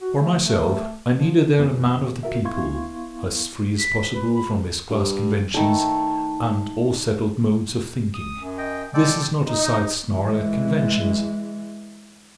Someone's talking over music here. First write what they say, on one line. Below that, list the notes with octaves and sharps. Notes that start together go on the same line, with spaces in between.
For myself I needed there a Man of the People as free as possible from his class-conventions and all settled modes of thinking. This is not a side snarl at conventions.
F#4
A3
A3
F3
F#2 E3 B3
F4 F#4 A#4 E5
B3 E4 F5 C6 C#6 G#6
B6
B4
B5
G2
D#3 A3
D#6
F#2
D#5 G5
G#3 A4 D5 G5
D#4
E3 G#3